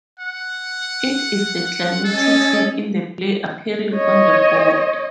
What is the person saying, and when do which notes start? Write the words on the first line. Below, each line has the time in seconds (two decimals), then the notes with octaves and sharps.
It is the climactic scene in the play appearing on the board.
0.20 F#5
2.04 C#4 A4 D#5 G#5
3.96 C#5 D#5